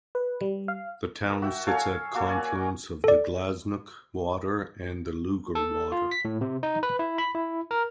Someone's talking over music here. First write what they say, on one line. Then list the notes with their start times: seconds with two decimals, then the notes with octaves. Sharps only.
The town sits at the confluence of the Glaisnock Water and the Lugar Water.
0.15 B4
0.41 G3
0.68 F5
1.30 A#4 A5
1.42 F#4 E5 G5
1.67 A4 C#5 F5 G#5
2.14 A#3 F#4 A4
2.26 C#4 A#4 D5 G#5
3.04 A4 D5
5.55 A4
5.92 F4
6.11 B6
6.25 A2
6.41 C3
6.63 D#4
6.83 B4
6.99 E4
7.18 B5
7.35 E4
7.71 A#4